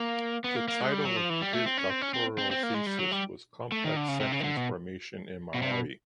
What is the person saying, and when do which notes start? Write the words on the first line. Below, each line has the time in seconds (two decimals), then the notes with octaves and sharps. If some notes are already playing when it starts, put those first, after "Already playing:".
The title of his doctoral thesis was "Complex sentence formation in Maori".
Already playing: A#3
0.44 B3
0.56 A#3
0.68 A#3
0.81 G#3
0.92 G3
1.05 F#3
1.17 F3
1.30 E3
1.41 G3
1.53 A3
1.66 C4
1.77 C#4
1.90 C4
2.01 C#4
2.14 C4
2.38 C4
2.51 C4
2.63 A#3
2.74 G#3
2.86 G3
2.99 F#3
3.11 G3
3.72 A3
3.84 D#3
3.96 D3
4.08 C#3
4.20 C3
4.32 C#3
4.40 D#3
4.44 D3
4.57 B2
5.54 B2
5.62 C3
5.71 B2